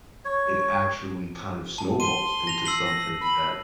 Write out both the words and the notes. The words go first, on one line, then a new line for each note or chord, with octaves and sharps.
it actually kind of snowballs into something that
C#5
A5
C6 D#7
A#6 F7
E6 C7 F#7
A#6
B5